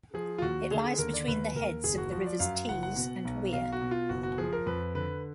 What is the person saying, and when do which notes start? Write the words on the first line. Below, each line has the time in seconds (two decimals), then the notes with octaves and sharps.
It lies between the heads of the Rivers Tees and Wear.
0.14 F3 G#4
0.38 F4
0.42 D#2 F#4
0.71 D3 G#4
0.84 G#4
0.98 D#2 A#4
1.14 D5
1.28 D#2 B4
1.55 D#2 A#4
1.83 F#1 G#4
1.98 F#4
2.12 F3 F#4
2.27 D5
2.40 F#2 F5
2.55 F5
2.69 F#1 F#5
2.83 F#5
2.96 B2
3.25 B1
3.53 B2 F5
3.72 F#4
3.81 B2
3.91 F4
4.09 F#1 F#4
4.23 F#4
4.38 F3 G#4
4.53 A#4
4.66 F2 B4
4.95 D3 B4